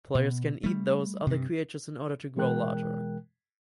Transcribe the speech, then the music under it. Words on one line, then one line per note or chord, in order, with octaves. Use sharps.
Players can eat these other creatures in order to grow larger.
B2
G3 A3
G2 C3
B2 E3 G#3 A#4 G5 F#6